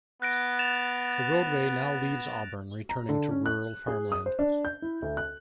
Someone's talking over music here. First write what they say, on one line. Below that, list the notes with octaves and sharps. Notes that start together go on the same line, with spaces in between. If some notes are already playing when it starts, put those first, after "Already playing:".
The roadway now leaves Auburn, returning to rural farmland.
B3 F#6 A#6 D7
A6 E7 F7
A#5
D3
C#4
F#6
G#4
D#6
C5
D4
G6
E4
D2
F#6